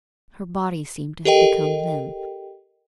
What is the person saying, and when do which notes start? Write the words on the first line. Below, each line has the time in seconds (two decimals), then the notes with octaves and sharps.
Her body seemed to have become limp.
1.25 G4 A4 A#4 D#5 G5